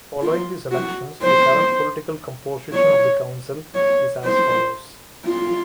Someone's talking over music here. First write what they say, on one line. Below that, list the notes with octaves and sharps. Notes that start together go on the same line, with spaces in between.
Following these elections the current political composition of the council is as follows.
F4
F#4
C5
C#5
C#5
C5
F4